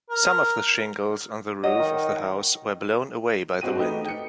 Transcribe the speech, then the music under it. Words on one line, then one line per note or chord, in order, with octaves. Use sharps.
Some of the shingles on the roof of the house were blown away by the wind.
A#4
F#3 D#5
D#3
G#2 C4 F#4 G5 D#7
A3 B3 D#4 G4
G5 C#7